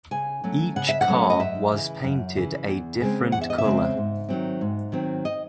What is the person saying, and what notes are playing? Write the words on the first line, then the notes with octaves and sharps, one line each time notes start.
Each car was painted a different color.
C#3 G#5
F#3 A3 C#4
C#3 F#5
E5
F#5
F#3 A3 C#4
D#5
F#2 E5
C#3 E3
F#2
C#3 E3
E2
C#3 G#3 C4
E2 F#5
E5
D#5
E5
C#3 G#3 C4
G#2
D#3 F#3 C4
G#2
D#3 F#3 C4
D#5